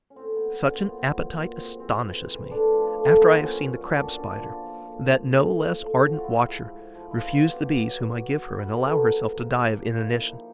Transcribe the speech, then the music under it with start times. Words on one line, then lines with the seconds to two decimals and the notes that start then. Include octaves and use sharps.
Such an appetite astonishes me, after I have seen the Crab Spider, that no less ardent watcher, refuse the Bees whom I give her and allow herself to die of inanition.
0.10 C#4
0.16 A2 C4
0.36 F#3 B3 C4
0.63 A#2 C#4
0.75 C4
0.86 F#3 B3
0.97 C4
1.09 A#2
1.34 F#3
1.57 G#2 C4
1.80 E3 C4
2.03 G#2
2.27 E3
2.50 A2 D4
2.74 F3
2.97 A2 A3
3.10 A#3
3.21 F3 B3
3.32 C4
3.44 A#2 C#4
3.67 F#3
3.85 D4
3.91 A#2 C#4
4.14 F#3 D4
4.38 A#2 F4
4.61 F3
4.84 A#2
5.07 F3
5.31 A2
5.55 F3
5.77 A2
6.00 F3 F#4
6.13 F4
6.24 G#2 E4
6.48 F3
6.72 G#2
6.95 F3
7.11 E4
7.17 B2 F4
7.41 F#3 G4
7.65 B2
7.89 F#3
8.11 B2
8.35 F#3
8.58 B2 B4
8.69 A#4
8.79 F#3 A4
8.90 A#4
9.05 G#2
9.28 F3
9.52 G#2 G4
9.75 F3
9.93 F4
9.98 A#2 E4
10.22 F3 D#4